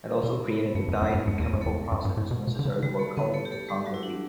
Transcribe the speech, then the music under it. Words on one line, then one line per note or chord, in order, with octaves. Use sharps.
It also created the dyes and chemical processes necessary for color photography.
B2 E4
B3
G2 A3
F#2
B3
F#2
G2 B3
F#2 A3
E2
B3
F#2
E2 A3 A4
F#2
G2
A2
B2
B2
D3
C#3
F#4
D3 G3 G4
A3 A4
D3 B3 B4
A3 A4
G4
A3 A4
G3 G4
F#3 F#4
E4
D4